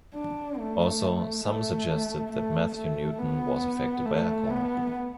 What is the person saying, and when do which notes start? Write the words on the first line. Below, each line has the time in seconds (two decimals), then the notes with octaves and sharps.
Also, some suggested that Matthew Newton was affected by alcohol.
0.15 D4
0.58 A3
1.45 A3
2.32 A3
2.75 A3
3.19 B3
4.05 A3
4.50 B3